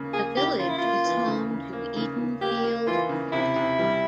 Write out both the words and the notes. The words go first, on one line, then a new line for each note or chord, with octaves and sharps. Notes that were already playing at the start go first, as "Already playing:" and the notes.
The village is home to Edenfield Cricket Club.
Already playing: C#3 A#3
A#3 G#4
C#3 G4
C#3 F4
E4
A#3 F4
E3
C#3
C#3
A#3
C#3
C#3
A#3 G4
A#3
E3 F4
C#3
C3 E4
C3
G3